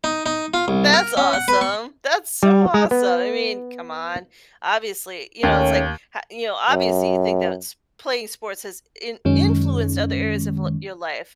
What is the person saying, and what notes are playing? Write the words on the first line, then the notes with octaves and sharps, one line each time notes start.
That's awesome. That's so awesome, I mean, come on obviously you know, it's, like, h you know, obviously, you think that sp playing sports has in influenced other areas of li your life,
D#4
D#4
F4
C2
A#4
C#4
F#5
B4
C#6
G3
G#3
B3
D#2 D#3 A3 C#4
F#2
F#2 D#3 G#3 C#4